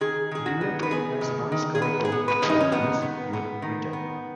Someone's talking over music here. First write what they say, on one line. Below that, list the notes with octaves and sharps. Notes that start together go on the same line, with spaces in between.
Dinner Plain has one ski tow for use during winter.
D#3 G#4
D#3 G#4
F#4
B3
B4
B3 G#4
D#3
D#3
G#4
B3 B4
G#4
B3
B4
D#3
D#4
C#4
D#3 B3
B3
B3
D#3
B3